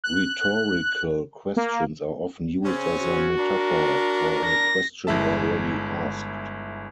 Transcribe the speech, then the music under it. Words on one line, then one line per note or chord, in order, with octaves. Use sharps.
Rhetorical questions are often used as a metaphor for a question already asked.
F#6
A#3
C#3 C4 C#4
F#4
D4 A#4
A#6
G1 G#3 E4 E5 A5